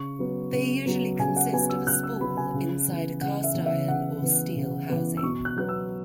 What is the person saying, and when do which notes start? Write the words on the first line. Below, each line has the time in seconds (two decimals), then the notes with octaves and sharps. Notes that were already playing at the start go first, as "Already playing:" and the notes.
They usually consist of a spool inside a cast iron or steel housing.
Already playing: C#3 C#6
0.19 F#3 B3
0.52 C#3
0.86 F#3 B3
1.19 C#3 G#5
1.36 F#5
1.53 B3 G#5
1.56 F#3
1.70 E6
1.87 C#3 F#6
2.03 E6
2.20 F#3 B3 B5
2.37 G#5
2.54 C#3
2.88 E3 B3
3.21 C#3 F#5
3.44 E5
3.54 E3 B3
3.66 E5
3.88 C#3 F#5
4.22 E3 B3
4.56 C#3
4.89 E3 B3
5.17 E6
5.23 B2 C#6
5.45 F#6
5.56 F#3 B3 F#6
5.69 E6